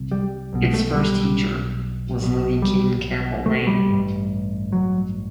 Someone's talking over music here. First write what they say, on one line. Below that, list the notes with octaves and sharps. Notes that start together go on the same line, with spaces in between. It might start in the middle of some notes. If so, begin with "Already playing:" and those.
Its first teacher was Linnie Keen Campbell Lane.
Already playing: C2 C3
G3
B1 B2
A3
G3
B1 B2
G3
A3
G3
A1 G2
F#3